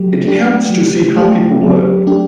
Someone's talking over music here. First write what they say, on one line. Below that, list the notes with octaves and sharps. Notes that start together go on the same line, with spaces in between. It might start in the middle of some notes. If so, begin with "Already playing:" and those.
It helps to see how people work.
Already playing: F#3 A3 G4
A3 D4 G4
F#3
A3 D4 G4
F#3
A3 D4 G4